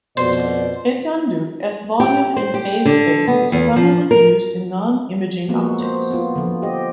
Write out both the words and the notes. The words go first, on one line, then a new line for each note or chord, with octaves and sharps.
Etendue as volume in phase space is commonly used in nonimaging optics.
F2 B2 C5 D5
G4
C5
G4
D3
B3
E2
F3
A#4
F3 G#3 A#3 B3 F#4
C5
B3 F4
D3 F3
G4 D#5